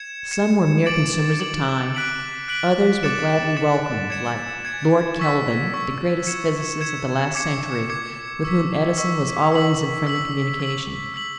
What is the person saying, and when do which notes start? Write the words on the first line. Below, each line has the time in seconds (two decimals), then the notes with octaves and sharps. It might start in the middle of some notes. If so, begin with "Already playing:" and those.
Some were mere consumers of time; others were gladly welcomed, like Lord Kelvin, the greatest physicist of the last century, with whom Edison was always in friendly communication.
Already playing: G#6 C#7 E7
0.31 G#6 C#7 E7
0.86 D6 A6 D7 F#7
1.40 D6 A6 D7 F#7
1.95 F#6 B6 D7 F#7
2.48 F#6 B6 D7 F#7
3.03 D6 A6 C#7 E7
3.56 D6 A6 C#7 E7
4.10 G#6 C#7 E7
4.65 G#6 C#7 E7
5.19 C#6 E6 B6
5.74 C#6 E6 B6
6.27 G#6 C#7 E7
6.81 G#6 C#7 E7
7.35 D6 G#6 C#7
7.90 D6 G#6 C#7
8.44 C#6 E6 B6
8.98 C#6 E6 B6
9.52 E6 B6 F#7
10.07 E6 B6 F#7
10.60 E6 B6 F#7
11.14 E6 B6 F#7